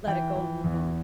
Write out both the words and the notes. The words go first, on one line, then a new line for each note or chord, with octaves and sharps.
let it go and move on?
E3 G5
E3
E2